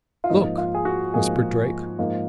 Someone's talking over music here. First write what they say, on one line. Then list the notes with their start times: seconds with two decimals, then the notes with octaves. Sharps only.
"Look," whispered Drake.
0.24 F4
0.30 G#2 F3 A#3 D#4
0.58 F4
0.75 G#4
0.85 F#4
1.14 G#2 F3 A#3 G#4
1.99 G#2 F3 A#3